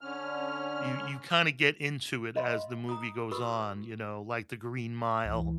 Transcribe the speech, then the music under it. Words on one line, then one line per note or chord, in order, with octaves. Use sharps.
you you kinda get into it as the movie goes on, you know, like The Green Mile,
D3 C#4 F6
D#5 F5 B5 C6
A#5 D#6
F#4 B4 B5 C#6 D#6 E6
C#2 E3